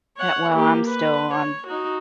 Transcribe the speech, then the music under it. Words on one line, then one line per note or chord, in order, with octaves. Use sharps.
Yeah, well, I'm still on
C#5 F#5
A#3 G4
B4
C#5
D#4 F#4